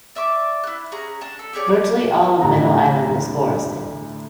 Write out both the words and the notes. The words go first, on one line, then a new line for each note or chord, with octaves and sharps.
Virtually all of Middle Island is forested.
D5 E5 C#6 D6
E4 F#6
C#4 G#4 A#5
D4 A5
A4
G4 G#4 C#5 D5
D2 A2 D4 G4 A#5